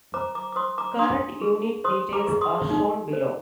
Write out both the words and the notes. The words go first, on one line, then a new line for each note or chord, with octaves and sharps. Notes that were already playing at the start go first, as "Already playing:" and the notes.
Current unit details are shown below.
C5 A#5 D6
A#5 D6
D6
C5 C6 D#6
A#5 D6
D4 C6 D#6
G#4
C5 C6 D#6
A#5 D6
G#4
C6 D#6
D#4
C5